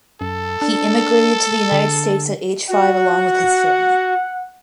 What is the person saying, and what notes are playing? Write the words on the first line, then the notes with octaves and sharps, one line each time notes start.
He immigrated to the United States at age five along with his family.
F#2 A4
D4
D3
F#4 F#5